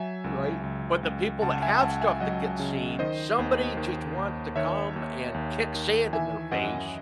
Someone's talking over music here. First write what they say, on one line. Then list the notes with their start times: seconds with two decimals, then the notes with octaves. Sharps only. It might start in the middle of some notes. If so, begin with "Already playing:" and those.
Right, but the people that have stuff that gets seen, somebody just wants to come and kick sand in their face
Already playing: F#3 E5 G#5
0.24 C#2
0.63 C#2
1.03 C#2
1.42 C#2 F#5 A5
1.62 E5 G#5
1.81 C#2 F#5 A5
2.01 E5 G#5
2.20 F#3 D#5 F#5
2.59 C#3
2.99 D#3 C5 D#5
3.38 D#2
3.77 D#3
4.18 D#2
4.56 D#3 C#5 E5
4.96 D#2
5.34 D#2
5.74 D#3
6.13 E3 E5 G#5
6.52 F#2 D#5 F#5